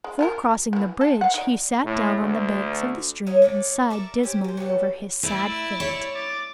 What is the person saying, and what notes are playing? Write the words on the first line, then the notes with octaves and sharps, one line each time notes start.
Before crossing the bridge he sat down on the banks of the stream and sighed dismally over his sad fate.
G#3
F4 A4 A#4
C#3 E3
A4
F5 F#5
D#4 D5
A2
D2
F#3 C#4 D#4 E5
A2 A3 F#4 D5
A4 A#4 D5 E5
C#4 G4 C5
A#2 C5
F#3 G3 B3 A4
A3 E4 D5
C#5
D6 A6